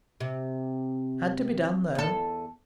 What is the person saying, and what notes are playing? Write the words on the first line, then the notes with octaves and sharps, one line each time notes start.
Had to be done, though.
C3
E2 A4